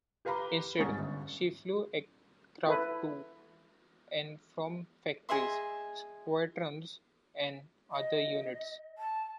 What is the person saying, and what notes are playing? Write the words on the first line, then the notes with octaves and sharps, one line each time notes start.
Instead, she flew aircraft to and from factories, squadrons and other units.
G4 B4 F5 A#5 B5 D6
C2 G#2 C#4 C#6 A6
G1
E4 A4 B4
G#4 D#5 E5 C6
D#5
A5